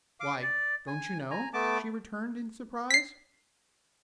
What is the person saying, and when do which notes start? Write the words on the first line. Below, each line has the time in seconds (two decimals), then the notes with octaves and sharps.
"Why, don't you know?" she returned, in surprise.
0.20 F5 D6
0.42 D5
0.87 G#5
1.31 G#5 A#5
1.54 A3 B3 A5 D6
2.90 B6 C7